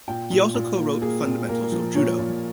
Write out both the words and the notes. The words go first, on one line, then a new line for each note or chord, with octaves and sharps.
He also co wrote "Fundamentals of Judo".
A#2 G5
A#2
A#2
A#3
A#3 G#4
A#2
A#3 A#4
F3
A#2 C#5
A#2